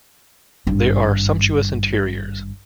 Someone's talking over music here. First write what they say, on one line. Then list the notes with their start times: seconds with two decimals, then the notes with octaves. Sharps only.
There are sumptuous interiors.
0.67 G#1 G2